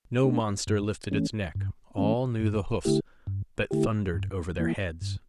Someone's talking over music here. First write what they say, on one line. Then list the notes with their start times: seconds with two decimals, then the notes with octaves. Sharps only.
No monster lifted its neck; all knew the hoofs that thundered over their heads!
0.25 A3 D4
0.67 G2
1.11 E3 A3 C#4
1.55 G2
1.98 E3 A3 C#4
2.41 G2
2.85 D3 A3 E4 G4
3.27 G2
3.71 D3 A3 E4 G4
4.14 G2
4.58 E3 A#3 E4
5.01 G2